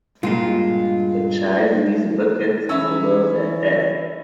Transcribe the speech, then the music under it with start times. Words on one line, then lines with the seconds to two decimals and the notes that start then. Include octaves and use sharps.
A child with a bucket over their head.
0.23 G2 A#2 G#3 F4
2.69 E3 C#4 E4 E6